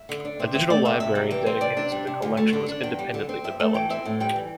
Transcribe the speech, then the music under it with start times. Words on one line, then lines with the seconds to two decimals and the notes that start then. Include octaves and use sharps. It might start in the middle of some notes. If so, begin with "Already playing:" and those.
A digital library dedicated to the collection was independently developed.
Already playing: E5
0.09 D3
0.25 D4
0.39 C3 E5
0.54 C4 E5
0.70 A3 D5
0.85 C3 E5
1.00 C3 E5
1.15 G3
1.31 E3 G5
1.47 C4
1.61 C3 D5
1.77 D4
1.92 G3
2.07 C3
2.22 D2
2.37 A3
2.53 D3
2.68 D4
2.83 E2 G5
2.99 G3
3.14 D3
3.29 C4
3.44 G2 E5
3.60 A3 E5
3.74 E3 G5
3.90 C4 E5
4.05 A2
4.20 G3 G5
4.36 E3